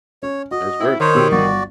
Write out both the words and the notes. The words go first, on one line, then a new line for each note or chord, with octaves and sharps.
that's great.
C#4 C#5
F#4 D#5
C4 E4
D#3 C5 C#5
B2 G4 E6
G1 F#4 D5